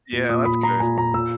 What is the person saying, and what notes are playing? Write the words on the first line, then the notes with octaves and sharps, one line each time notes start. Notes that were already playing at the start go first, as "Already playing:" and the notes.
Yeah, that's good.
A#2
A#2 D#6
A#2 B5
A#2 A#5
A#2 G#5
A#2 A#5
A#2 E6